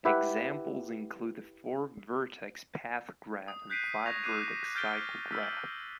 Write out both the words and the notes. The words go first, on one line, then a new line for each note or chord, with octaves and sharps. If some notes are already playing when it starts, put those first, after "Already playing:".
Examples include the four-vertex path graph and five-vertex cycle graph.
E4 G4 B4 E5 F#5
D#6
F#6 G6 B6 C7 D7 D#7
C#6 D#6 G#6 A#6 F7
D6 F#6 C7 D#7
F6 G6 A6 B6 D7 G7
E6 F6 B6